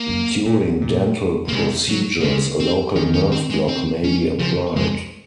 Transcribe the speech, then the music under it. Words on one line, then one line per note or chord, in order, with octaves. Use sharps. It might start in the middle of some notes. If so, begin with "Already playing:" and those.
During dental procedures, a local nerve block may be applied.
Already playing: A#3
F#2
A#2
A#2
A#3
C3 G#3
F#3
A#3
C#3 G#3
C4
D#3 C#4
C#4
C4
G#3
C4
C#4
C#3 F3
F2 G#3